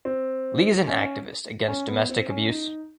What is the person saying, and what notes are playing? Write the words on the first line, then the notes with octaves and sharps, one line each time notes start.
Lee is an activist against domestic abuse.
C4
C#4
C#4
B3
C4
C#4
D#4